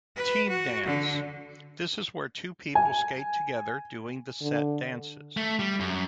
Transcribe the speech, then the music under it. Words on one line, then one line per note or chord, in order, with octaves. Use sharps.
Team Dance; this is where two people skate together doing the set dances.
B4
F#4
D3
G#5
D3
A3
G3
F#2